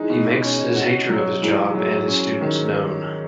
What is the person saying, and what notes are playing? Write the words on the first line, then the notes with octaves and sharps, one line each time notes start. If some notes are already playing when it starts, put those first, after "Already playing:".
He makes his hatred of his job and his students known.
Already playing: E3 G#3 D#4
B2
C#4
F#4
F#3
G#2 E3 G#3
F#3
C#4
D#3